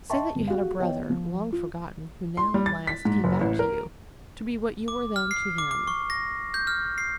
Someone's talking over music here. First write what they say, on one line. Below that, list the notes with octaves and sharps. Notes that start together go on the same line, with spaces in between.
Say that you had a brother, long forgotten, who now at last came back to you to be what you were then to him.
D#5 E5 G5 A5 C6 C#6
G1
G#3 F#4 G4 F5
B3 C#5 D#5 G5
F3
F4
C6
G3
A6
B6
G#2
F#1
A1
A#4
D6
F6
C7
D6
D6
C#6
A#6
G6
F6
C7